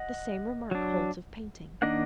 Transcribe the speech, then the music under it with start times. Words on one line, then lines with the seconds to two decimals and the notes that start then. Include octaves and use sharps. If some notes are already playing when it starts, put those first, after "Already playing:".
The same remark holds of painting.
Already playing: D#5 F#5
0.71 F#3 D4
1.82 D#3 A#3 D4 D#5 F#5